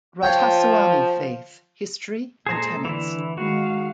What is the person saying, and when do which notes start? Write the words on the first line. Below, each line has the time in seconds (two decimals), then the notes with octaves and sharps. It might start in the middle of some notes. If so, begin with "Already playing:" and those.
"Radhasoami Faith - History and Tenets".
0.23 F3 F4 C#5 G5
2.46 A#2 G#3 G#4 A4 C5 A#5
2.85 D3 E3 E4
3.38 D#3 G#3 F#4 F5